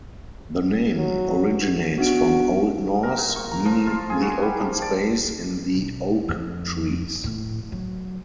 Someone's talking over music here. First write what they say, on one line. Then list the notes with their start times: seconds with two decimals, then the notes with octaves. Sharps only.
The name originates from old Norse, meaning the open space in the oak trees.
0.97 F#3
1.98 B3 D4 F#4 D7
3.03 A#4
3.17 A#2
3.36 C#6
3.51 A#5
3.65 F3
3.87 F4
4.10 G#4
4.21 F#3
4.42 G3
4.61 F3
4.82 D5
5.74 B1
6.28 F2
7.24 A2
7.72 F#3